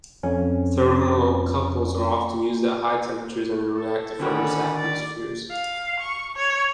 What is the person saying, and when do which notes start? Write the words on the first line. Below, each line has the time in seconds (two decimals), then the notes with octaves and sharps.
Thermocouples are often used at high temperatures and in reactive furnace atmospheres.
0.23 F2 C#4
3.76 A4
4.19 D3 D#3 C#4 F#4 D5 B5
4.76 D5
5.51 F5
6.00 C#6
6.37 C#5